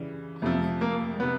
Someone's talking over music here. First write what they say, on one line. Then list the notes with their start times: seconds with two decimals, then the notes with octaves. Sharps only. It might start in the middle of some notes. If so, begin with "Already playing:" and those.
Oh my god.
Already playing: C#3 E3 G3
0.42 F2 C3 F3 A3
0.81 A#3
1.20 C3 B3